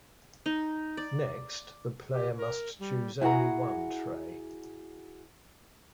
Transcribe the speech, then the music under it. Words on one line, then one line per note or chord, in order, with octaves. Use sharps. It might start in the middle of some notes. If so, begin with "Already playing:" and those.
Next, the player must choose only one tray.
D#4
D5
G4
A#4
G3
E4 F#4 G#4 F#5 A#5